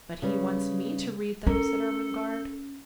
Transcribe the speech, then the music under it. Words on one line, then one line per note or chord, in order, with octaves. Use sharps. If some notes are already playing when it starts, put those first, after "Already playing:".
"But he wants me to read them," said Ermengarde.
C#3 G3 B4
C#4 A4 A#4